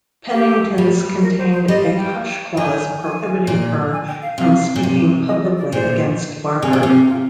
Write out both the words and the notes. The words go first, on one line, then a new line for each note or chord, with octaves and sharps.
Pennington's contained a hush clause prohibiting her from speaking publicly against Barker.
G4
G3
A#4
C5
C5
G3 D#5
F5
G5
D#3 G#5
G#5
A#2
G#5
G5
F5
C3 F5
A#2
C3
D#5
D5
D5
A#2 C5
C3 G#4
A#2
C3 G4
F4